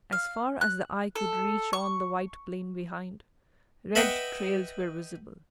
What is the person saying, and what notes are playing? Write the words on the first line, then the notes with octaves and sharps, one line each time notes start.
As far as the eye could reach on the white plain behind, red trails were visible.
F5
F#6
A4
C#6
B4 D#5 E5 F#5 G5